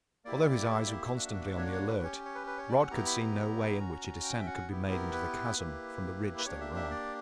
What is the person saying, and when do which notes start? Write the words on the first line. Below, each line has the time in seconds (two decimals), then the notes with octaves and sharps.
Although his eyes were constantly on the alert, Rod could see no way in which a descent could be made into the chasm from the ridge they were on.
0.25 A#3 E4 G4 D5
0.70 E5
0.87 D5
0.92 E5
1.14 A#3 D4 F#4
1.57 C#5
1.72 C#5
1.88 B4
2.03 C#4 G4 C#5
2.25 C#5
2.35 B4
2.47 B4
2.58 C#5
2.69 D5
2.81 F#5
2.90 B3 E4 G4 A#5
3.06 B5
3.20 A#5
3.79 C#4 F#4
4.24 G5
4.38 E5
4.47 F#5
4.69 B3 E4 G4
4.90 A#4
5.12 B4
5.57 A#3 E4 G4
6.38 B4
6.45 A#3 D4 G4 C#5
6.61 E5
6.76 E5
6.90 D5